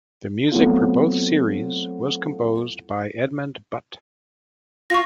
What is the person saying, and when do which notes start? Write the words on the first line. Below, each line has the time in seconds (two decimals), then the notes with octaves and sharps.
The music for both series was composed by Edmund Butt.
0.52 F#3 A3 B3 C4 E4 F4
4.90 F4 C#6 A#6